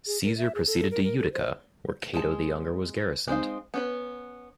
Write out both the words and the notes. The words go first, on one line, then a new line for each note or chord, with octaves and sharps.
Caesar proceeded to Utica, where Cato the Younger was garrisoned.
G#4
A#4
E5
G#4
A4
A4
A#4
A#4
A4
C5
G#3 A5
G#3 C4 D#4 F5
B3 C#4 B4